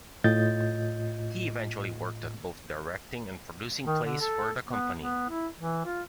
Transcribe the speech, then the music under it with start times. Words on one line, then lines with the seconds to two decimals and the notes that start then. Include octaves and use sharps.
He eventually worked at both directing and producing plays for the company.
0.24 A2 F4 D#5 G6 A6
3.86 D#3
4.05 D3
4.21 A4
4.68 B3
4.97 B3
5.29 E4
5.58 E3
5.85 F4